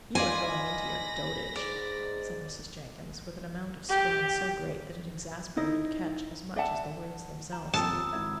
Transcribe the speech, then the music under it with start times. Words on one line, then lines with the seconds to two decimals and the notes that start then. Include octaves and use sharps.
"You are going into your dotage," said Mrs. Jenkins, with an amount of scorn so great that it exasperated Ketch as much as the words themselves.
0.15 D#4 F4 D5 G#5 B5 C6 A#6
1.56 G#2 D5
3.89 G4
5.57 D#4 E4 D#5
6.56 D5 E5 F#5 A5
7.53 A#5
7.74 D#1 F2 A5 D#6 E6
8.13 G#1 E4 G#6